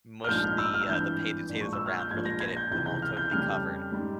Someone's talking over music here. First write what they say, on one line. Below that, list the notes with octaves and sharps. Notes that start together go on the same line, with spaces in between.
mush the, uh, the pa the potatoes around, really get it them all totally covered.
F6
A#1 G#2 F3 G#3 G6
F6
E6
F6
G#1 G2 E3 G6
A#1 A#2 F3 G#3
C#6
E6
F6
G6
A#1 A#2 F3 G#3 G#6
A#6
G#6
G6
C#2 C3 E3 G6
G6
F6
G6
F2 C#3 G3 F6
G#2 G3